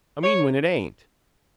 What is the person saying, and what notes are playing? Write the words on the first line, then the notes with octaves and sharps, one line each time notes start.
"I mean when it ain't."
C#5